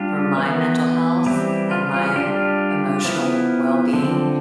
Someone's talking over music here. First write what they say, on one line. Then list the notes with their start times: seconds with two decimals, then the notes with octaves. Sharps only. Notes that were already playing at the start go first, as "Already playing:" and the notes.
for my mental health and my emotional wellbeing,
Already playing: G3 D4 F4 G4
0.37 E3 B3 E4
1.26 E3 G3 C4 E4 G4
1.71 F4
1.86 F4
2.16 G3 D4 F4 G4
3.04 F3 B3 E4
3.93 D3 F3 C4